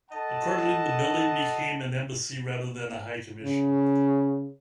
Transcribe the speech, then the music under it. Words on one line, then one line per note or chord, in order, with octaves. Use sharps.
Accordingly, the building became an Embassy, rather than a High Commission.
A4 D#5 F#5 A5
C#3